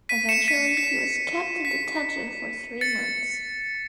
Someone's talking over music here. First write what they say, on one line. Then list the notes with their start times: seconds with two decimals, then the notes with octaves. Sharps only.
Eventually he was kept in detention for three months.
0.09 B6 D#7
0.29 C#7 E7
0.48 B6 D#7
0.77 B6
1.65 B6
2.81 A6 C#7